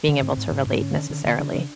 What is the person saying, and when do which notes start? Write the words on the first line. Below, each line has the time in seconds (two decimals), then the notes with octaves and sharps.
being able to relate necessarily.
0.08 D3
0.22 G#2 C4
0.37 G#2
0.52 G#2
0.67 G#2
0.81 D3 C#4
0.96 D3
1.10 D3
1.25 D3
1.39 C#3 D4
1.54 C#3